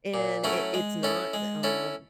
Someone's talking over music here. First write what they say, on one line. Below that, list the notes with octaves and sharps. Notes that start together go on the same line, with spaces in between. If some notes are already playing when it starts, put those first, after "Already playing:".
and it it's not, uh,
A#2
F#3 A3 C#4 E4
G#3
C#4 E4 A4
G#3
C#4 E4 A4